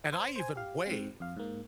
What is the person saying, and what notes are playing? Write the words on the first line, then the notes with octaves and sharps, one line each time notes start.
and I even waved,
C5 G#6
C5 G#5
G4 F5
G#2 C4
F2 F5
G#2 A#3